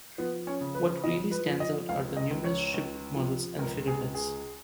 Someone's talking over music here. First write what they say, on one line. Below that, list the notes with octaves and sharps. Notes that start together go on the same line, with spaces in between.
What really stands out are the numerous ship models and figureheads.
F3 B3
C#4
C#3
B4
F3 D#5
B4
F3
D#5
C#2 F5
D#5
C#2
C#5
C#2
F3
C#2 A#4
G#4
C#2
G#4